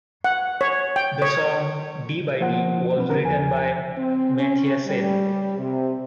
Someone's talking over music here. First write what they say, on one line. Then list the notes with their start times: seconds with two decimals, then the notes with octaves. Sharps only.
The song "D by D" was written by Mathiassen.
0.24 F#5
0.61 C#5
0.96 G5
1.22 C#5
2.41 F3 A#3 C5 F#5
2.96 B2 F#3 C4 D4 B4
3.08 D3 D#3 B3 C#4 D4 A#4
3.24 E2 F3 G#5
3.97 C4
4.37 C#4
4.86 G3
5.57 C3